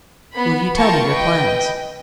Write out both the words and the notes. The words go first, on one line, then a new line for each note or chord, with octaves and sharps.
"Will you tell me your plans?"
B3 B5
F4 A#4 G5 A5 C#6
B4 D#5 G5